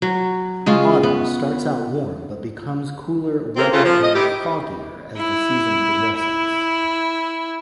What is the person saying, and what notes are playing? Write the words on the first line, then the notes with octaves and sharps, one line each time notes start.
Autumn starts out warm but becomes cooler, wetter, and foggier as the season progresses.
F#3
C#3 G#3 C#4 F4
B3
C3 A#3 C4 A4 A#4
C#3 A3 F4
F3
D#5
D#3 E4 G4
E4
E4